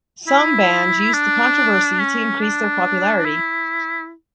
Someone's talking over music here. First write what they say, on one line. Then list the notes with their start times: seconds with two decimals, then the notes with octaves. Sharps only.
Some bands used the controversy to increase their popularity.
0.27 E4
1.14 D4
1.99 C#4
2.41 D4
3.25 E4